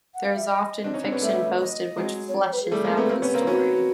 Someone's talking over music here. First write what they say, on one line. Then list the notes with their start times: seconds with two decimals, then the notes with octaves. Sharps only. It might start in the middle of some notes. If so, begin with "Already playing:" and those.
There is often fiction posted which fleshes out the story.
0.14 F#5
0.25 F5
0.36 E5
0.47 D#5
0.84 C4 D4
0.94 C#4 D#4
1.03 C4 D4
1.12 B3 C#4
1.22 G3 A3 E5
1.59 D#5
1.97 F#3 G#3
2.28 C#5
2.34 D5
2.44 C#5
2.53 B4
2.63 G#4
2.71 G3 A3
2.84 G#3 A#3
2.97 A3 B3
3.05 G#4
3.09 A#3 C4 G4
3.22 B3 C#4
3.34 A#3 C4
3.47 B3 C#4 F#4